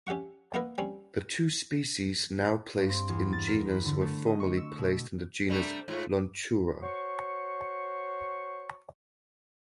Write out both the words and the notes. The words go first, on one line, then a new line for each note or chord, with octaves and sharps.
The two species now placed in genus were formerly placed in the genus "Lonchura".
C#4 G4 E5 F#5 C#6
A#3 B3 D#4 E4 A#4 B4
G3 C4 C#4
G2
C4
E2
A6
A#4
B5
D3
A3
D#5
C#6
E6
B2
C3 G3 A3 D4
G#2 A3 F4
F#4 C5 C#5 C#6